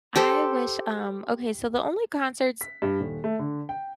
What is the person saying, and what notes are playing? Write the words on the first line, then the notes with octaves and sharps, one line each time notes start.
I wish, um okay, so the only concerts
G4 A4 C5
B6
G2
D#1
A3
D3
G5